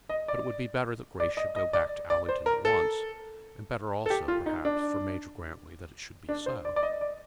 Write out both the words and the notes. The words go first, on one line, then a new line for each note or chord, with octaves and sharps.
But it would be better that Grace should go back to Allington at once; and better also, perhaps, for Major Grantly that it should be so.
D#5
D5
D5
D#5
D#5
D5
D5
C5
A#4
A4
A4
G4
F4
D#4
D4
D4
C5
D5
D5
D#5
D5